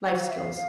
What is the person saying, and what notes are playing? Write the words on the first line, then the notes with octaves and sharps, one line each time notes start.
Life skills.
F5
E5
F5